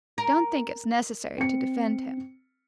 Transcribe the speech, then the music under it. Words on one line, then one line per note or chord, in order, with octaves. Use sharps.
Don't think it's necessary to defend him.
A#4
C4 C#7